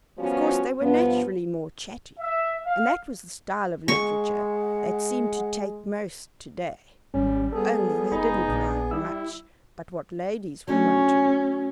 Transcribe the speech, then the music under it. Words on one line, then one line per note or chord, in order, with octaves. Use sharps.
Of course, they were naturally more chatty, and that was the style of literature that seemed to take most to-day; only they didn't write much but what ladies would want to read.
F3 G3 B3 C#4 F4 F#4
G2 F3 B3
E5
F5
G#3 F#5 C#6
G#1 G3 C#4
B3 G#4 A4
F1 D#4 B5
A#1 D4
G3 E4 E6
F#3 A3 C#4 D4